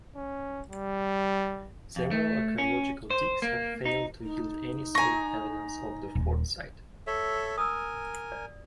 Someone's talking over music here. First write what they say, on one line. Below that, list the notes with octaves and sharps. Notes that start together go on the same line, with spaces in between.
Several archaeological digs have failed to yield any solid evidence of the fort's site.
C#4
G3
F2
A3
C#4
C5
A#3
D#4
D#4
G#5 A#5 C#6 A#6
D#1
A4 C#5 E5
A#4 G#5 D#6 E6
D5